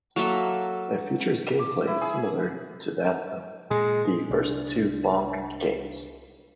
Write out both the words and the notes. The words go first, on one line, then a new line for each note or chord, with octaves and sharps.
It features gameplay similar to that of the first two Bonk games.
F#3 A#3 A4 E5
D6
E4
G#4
A#2 G#3
C2 D4